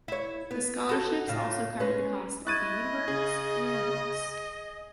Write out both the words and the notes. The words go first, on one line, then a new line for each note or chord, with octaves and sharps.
The scholarships also covered the cost of the uniforms and books.
E4 C#5
B3
F#4 A4
A2 C#3 F4
G#3 C#4 B4
E4 D#5 C#6 F#6 G#6 A6 D#7
C#3 G#4